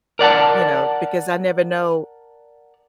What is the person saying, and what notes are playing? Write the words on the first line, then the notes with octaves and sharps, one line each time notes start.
you know, because I never know
A#4 D5 F#5 A5